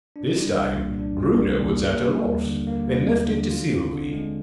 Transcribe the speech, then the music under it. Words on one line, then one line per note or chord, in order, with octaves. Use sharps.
This time Bruno was at a loss, and left it to Sylvie.
D4
G3
C2
A#2
D4
G3
C2
A#2
A#3
G3
D#2
D3
A#3
G3
D#2
D3
F4
C4
D3
G#3